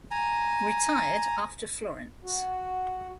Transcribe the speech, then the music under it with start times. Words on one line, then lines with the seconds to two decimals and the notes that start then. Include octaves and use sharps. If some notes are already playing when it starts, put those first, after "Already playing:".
Retired after Florence.
0.11 G#5 A#5
2.24 F#4